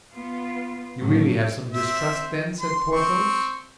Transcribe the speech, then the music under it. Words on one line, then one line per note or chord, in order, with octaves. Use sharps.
"You really have some distrust, then?" said Porthos.
B3 F4
A2 F#3 A3 A#3
C4 E5
C6
C4 C#6